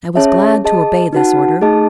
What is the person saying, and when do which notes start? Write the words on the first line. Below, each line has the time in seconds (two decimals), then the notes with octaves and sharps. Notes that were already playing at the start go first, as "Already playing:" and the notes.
I was glad to obey this order.
0.15 C#4 G#4 C#5 E5 A5
0.64 G#4 D#5 A5
1.13 D#4 F#4 B4 F#5 A5
1.61 A3 D#4 G#4 D#5 A5